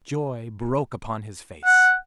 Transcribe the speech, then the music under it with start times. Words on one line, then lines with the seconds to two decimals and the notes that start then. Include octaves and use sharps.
Joy broke upon his face.
1.65 F#5